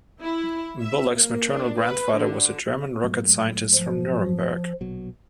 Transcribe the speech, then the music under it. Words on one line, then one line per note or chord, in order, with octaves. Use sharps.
Bullock's maternal grandfather was a German rocket scientist from Nuremberg.
E4
E5
A#3
D4
B4
D3
G#2 F#3 A3
F3
A#1 B2 F#3